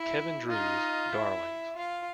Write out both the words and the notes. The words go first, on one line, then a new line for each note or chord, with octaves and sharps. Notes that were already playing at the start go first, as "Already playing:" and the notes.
Kevin Drew's "Darlings".
Already playing: E4 E5
D#4 F4 D#5
E4 E5
F4 F5